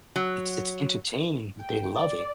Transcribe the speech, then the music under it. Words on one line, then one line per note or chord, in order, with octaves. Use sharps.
It's it's entertaining that they love it.
F#3
G5
D5